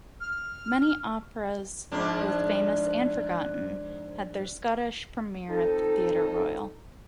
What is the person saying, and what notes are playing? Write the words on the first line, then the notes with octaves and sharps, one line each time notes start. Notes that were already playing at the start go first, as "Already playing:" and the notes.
Many operas, both famous and forgotten, had their Scottish premiere at the Theatre Royal.
F6
G#2 F3 D4
F2 D#4 A4